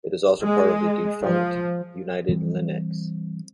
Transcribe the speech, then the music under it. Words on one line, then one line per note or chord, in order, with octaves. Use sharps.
It is also part of the defunct United Linux.
G#3
F3
E3 G3 C4